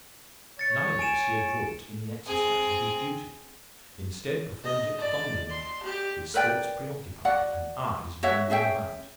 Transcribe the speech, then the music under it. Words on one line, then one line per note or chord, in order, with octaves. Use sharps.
Neither is he adroit in the exercise of his duty; instead performs it bunglingly; his thoughts preoccupied, and eyes wandering about.
C#5 A6 C#7
G#5 D7 E7
C4 G#4
D#5
D5
C6
G4
A#4 B4 D5 G5
F#4 D5 F#5
F#4 C#5 E5 F#5
C#4 G#4 E5 G5